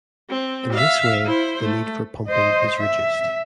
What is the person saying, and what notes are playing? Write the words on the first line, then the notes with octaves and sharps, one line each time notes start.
In this way, the need for pumping is reduced.
C4
E5 F5
E4 C5
A3
C5 D#5
E5